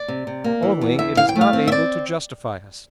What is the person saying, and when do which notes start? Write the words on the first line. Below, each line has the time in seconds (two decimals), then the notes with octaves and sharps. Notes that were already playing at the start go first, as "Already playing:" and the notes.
Only it is not able to justify us.
Already playing: D5
0.08 C3
0.27 C3
0.44 A#3
0.62 E3
0.81 E2
0.99 E2 E5
1.17 E3 F5
1.29 G5
1.36 A3
1.41 F5
1.53 C4
1.68 E5
1.72 C4 D5